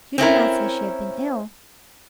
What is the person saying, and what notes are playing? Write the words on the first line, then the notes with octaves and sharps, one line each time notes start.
'You did not say she had been ill?'
C4 C#4 E4 A#4